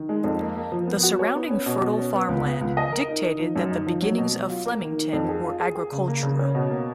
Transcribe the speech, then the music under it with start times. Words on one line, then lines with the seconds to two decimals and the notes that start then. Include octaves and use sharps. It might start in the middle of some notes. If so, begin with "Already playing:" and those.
The surrounding fertile farmland dictated that the beginnings of Flemington were agricultural.
Already playing: D#3
0.09 G#3
0.24 F2
0.41 A#3
0.56 A#3
0.72 F3
0.87 B3
1.03 F#4
1.19 C#5
1.35 B3
1.50 C#4
1.66 B2
1.81 B2
1.98 C#4
2.14 B3
2.29 C#2
2.45 B3
2.61 C#2
2.77 D#5
2.92 A#4
3.08 D#4
3.23 D#4
3.39 F3
3.56 F#2
3.71 D#4
3.87 F3
4.02 F#3
4.18 B2
4.33 F#3
4.50 F4
4.66 A#3
4.81 D#3
4.97 D#3
5.13 F2
5.29 G#4
5.44 F4
5.60 G#4
5.75 G#4
5.92 C#3
6.08 A#3
6.23 C#3
6.39 C#4
6.55 B2
6.70 A#3